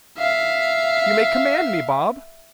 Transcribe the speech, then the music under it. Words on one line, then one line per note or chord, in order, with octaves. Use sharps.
You may command me, Bob.'
E5 F5